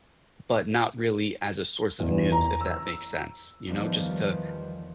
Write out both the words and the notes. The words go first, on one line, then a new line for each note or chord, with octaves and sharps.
but not really as a source of news, if that makes sense. You know, just to
E2
A#5
E6
E2 D#3 F3 G3 B3